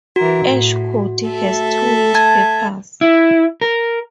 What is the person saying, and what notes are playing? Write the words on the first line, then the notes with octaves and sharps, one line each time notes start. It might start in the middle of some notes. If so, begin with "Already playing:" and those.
Ashe County has two newspapers.
E3 F#4 A#4
A2
A3 A4 E5
A5 G#6
E4
A#4